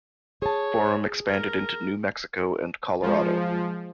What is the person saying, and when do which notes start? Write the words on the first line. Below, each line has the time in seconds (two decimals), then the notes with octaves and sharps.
Forum expanded into New Mexico and Colorado.
0.42 G#4 C#5 A5
1.27 A#4
3.02 F3 G#3